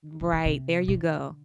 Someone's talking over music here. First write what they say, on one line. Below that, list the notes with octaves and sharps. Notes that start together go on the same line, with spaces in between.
Right, there you go.
D3
D#3
C3
C3
D3